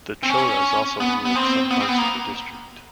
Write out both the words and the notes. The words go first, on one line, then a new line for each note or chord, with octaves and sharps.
The cholas also ruled some parts of the district.
C4
C#4
B3
B3
C4
B3
C4
B3
A#3